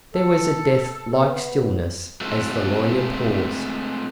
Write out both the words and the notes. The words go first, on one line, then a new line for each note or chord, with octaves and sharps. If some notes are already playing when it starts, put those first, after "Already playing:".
There was a death-like stillness as the lawyer paused.
A4
B3
G#3 A3 C4 F4 F#4 A4